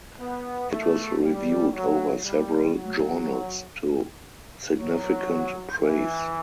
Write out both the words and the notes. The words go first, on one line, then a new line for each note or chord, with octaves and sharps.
It was reviewed over several journals to significant praise.
B3
A3
G3
F#3
G3
F#3
F#3
E3